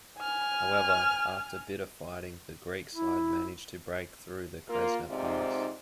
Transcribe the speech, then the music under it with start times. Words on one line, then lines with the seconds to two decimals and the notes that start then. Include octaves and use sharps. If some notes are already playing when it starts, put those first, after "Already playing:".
However, after bitter fighting the Greek side managed to break through the Kresna pass.
0.19 G#5 F6
2.95 E4
4.69 A#3 F4
5.09 G#2 C3 D#4 F4 C5 D5